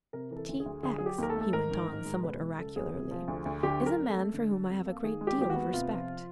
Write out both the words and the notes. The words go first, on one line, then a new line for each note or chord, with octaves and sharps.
T. X.," he went on somewhat oracularly, "is a man for whom I have a great deal of respect.
C3 A#4
E3 A#4
A4
D2
G#4
D2
D3 G#4
F#3 G#4
G4
D#2 A#4
A4
A3
A4
G#2 A#4
D#3
A1
G#3
B2 B4
G#3
C#2 A4
B3 G#4
C3
F3
D2
D2
D3 G4
F#3
A#4
F2
A4
A3
D3
G3
F2
A#3
D#3 G#4
G#3
G4
D#2 G4
F#4
B3
C3 F4
F3